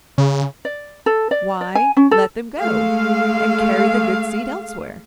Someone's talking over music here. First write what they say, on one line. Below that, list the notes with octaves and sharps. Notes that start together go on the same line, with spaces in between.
Why, let them go and carry the good seed elsewhere.
C#3
D5
A4
D5
D5
G#5
C#4
A4
G#3 A3 F5